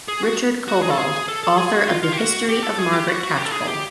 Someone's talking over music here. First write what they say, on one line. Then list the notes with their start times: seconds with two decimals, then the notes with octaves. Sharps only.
Richard Cobbold, author of the "History of Margaret Catchpole".
0.08 G#4
0.23 F#4
0.68 F#4
0.82 G#4
0.90 A4
0.98 G#4
1.28 A4
1.44 A4
1.58 G#4
1.73 F#4
1.88 F4
2.03 F4
2.12 G4
2.17 F#4
2.48 G4
2.63 A4
2.78 G#4
2.93 G4
3.08 F#4
3.24 F#4
3.37 G4
3.45 A4
3.52 G#4
3.68 G4